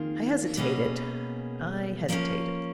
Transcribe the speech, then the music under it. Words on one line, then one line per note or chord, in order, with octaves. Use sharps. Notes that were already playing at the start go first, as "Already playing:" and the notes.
I hesitated, I hesitated.
Already playing: F2 D#3 A#3 F4 G#4
B2 A#3 C#4 G#4 B4
F3 A#3 C#4